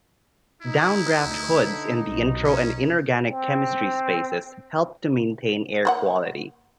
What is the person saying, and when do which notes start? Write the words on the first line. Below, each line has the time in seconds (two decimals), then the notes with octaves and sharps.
Downdraft hoods in the intro and inorganic chemistry spaces help to maintain air quality.
0.62 D#4 E4
1.21 D2
1.63 D3
2.09 B1
2.44 C#4
3.30 C4
5.85 A#3 C5 F#5